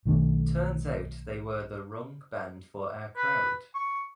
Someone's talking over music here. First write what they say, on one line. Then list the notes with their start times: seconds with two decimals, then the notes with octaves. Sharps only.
Turns out they were the wrong band for our crowd.
0.05 B1 D#3 A3 D4
3.17 B4
3.75 C#6